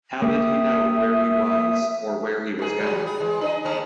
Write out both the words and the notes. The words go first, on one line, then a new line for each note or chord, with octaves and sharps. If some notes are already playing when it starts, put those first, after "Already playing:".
How did he know where he was or where he was going?
A#3 G4 E5 D#6
G#2 G#4
F#3 G3
G#4
E3 G#3
D4 B4 D#5
D#2 G#3 A#3